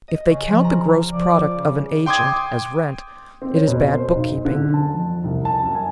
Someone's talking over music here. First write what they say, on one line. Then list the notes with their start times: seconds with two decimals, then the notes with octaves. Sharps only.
If they count the gross product of an agent as rent, it is bad bookkeeping.
0.08 D#5
0.27 C#3
0.49 F3
0.64 A#5
1.12 F3 D5
1.54 C#3
2.06 G5 C6 D6 D#6 G#6
3.42 C4
3.55 C#5
3.67 B2
3.91 C5
4.15 B1
4.45 D3
4.74 A5
4.94 F2
5.24 C2
5.45 A5
5.63 F#2
5.75 G#5